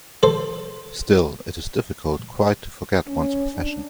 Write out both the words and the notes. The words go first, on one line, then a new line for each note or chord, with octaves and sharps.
Still it is difficult quite to forget one's profession.
A4 C5
C#4
D4